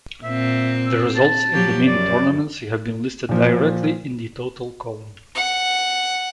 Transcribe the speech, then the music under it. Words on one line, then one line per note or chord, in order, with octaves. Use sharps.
The results in the main tournaments have been listed directly in the total column.
A#2 C4 E5
E6
A5
F3 F#3 G4
F#2 D5
A#2 F3
F#5